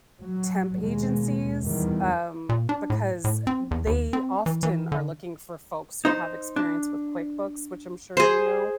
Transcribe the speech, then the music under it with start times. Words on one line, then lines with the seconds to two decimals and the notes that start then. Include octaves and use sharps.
temp agencies, um, because they often are looking for folks who have experience with QuickBooks, which I'm sure you know.
0.21 F#3
0.78 D#2 B2 G#3
1.63 E2 D#3 G3
2.49 A#2
2.69 D4
2.90 A2
3.24 A2
3.47 C4
3.71 E2
3.87 D#2
4.13 C4
4.46 E3
4.63 E3
4.92 D3
6.05 D#4 C5
6.56 D4
8.17 G#4 C5